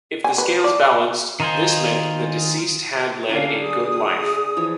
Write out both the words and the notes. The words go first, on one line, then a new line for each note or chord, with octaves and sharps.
If the scales balanced, this meant the deceased had led a good life.
G#5
B4
D5
D#3 D#4 F4 G#4 C5
D3 C#4 D4 A#4 F5
G#4 D#6
E3 F3 C#5